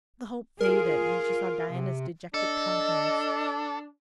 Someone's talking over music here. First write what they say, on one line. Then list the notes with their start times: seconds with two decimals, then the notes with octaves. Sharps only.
But the hope faded when she saw Diana's dejected countenance.
0.61 F4 G#4 A#4
1.71 C3
2.34 D4 A4 D#5